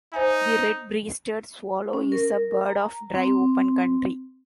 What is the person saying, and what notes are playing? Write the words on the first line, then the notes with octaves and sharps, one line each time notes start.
The red-breasted swallow is a bird of dry open country.
D#4 C5 E5 G#5
C#4
A#4
A#5
C4